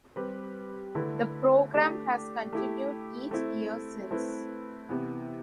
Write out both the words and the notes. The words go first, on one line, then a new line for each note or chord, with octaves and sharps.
The program has continued each year since.
G3 C4 G4 B4
D3 A3 E4 B4
A3 D4 G4
A3 E4 G4
A3 C4 E4
A3 C4 E4 B4
C3 E3 B3